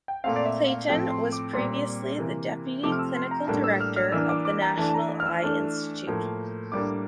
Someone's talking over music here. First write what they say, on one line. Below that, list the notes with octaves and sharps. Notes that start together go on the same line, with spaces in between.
Clayton was previously the deputy clinical director of the National Eye Institute.
G5
A#2 A3 C4 F5
D5
E5
F5
A2 F3 C4 G5
C6
D6
A#2 G3 C4
C3 E3 A#3
C3 F3 A3 C4 D6
F6
E6
C6
A#5
A2 G3 A#3 D4 A5
E6
F6
F6
E3 A#3 D4 E6
D6
D6
A#5
E3 A3 D4 A5
A5
A#5
F6
E6
E3 A3 D4
A2 F3 A#3
A2 G3 A#3 D4 D6